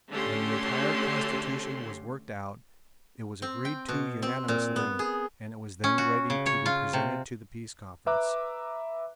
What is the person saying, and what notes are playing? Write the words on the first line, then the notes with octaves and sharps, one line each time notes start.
When the entire constitution was worked out it was agreed to unanimously and it was then ready to be presented to the Peace Conference.
D3 A3 C#4 G4 C6
C4
G5
B2
C4
A#2
B3
G#4
C#4
F#4
C#3
C#5
F4
C3
B4 E5 A#5 D6 F#6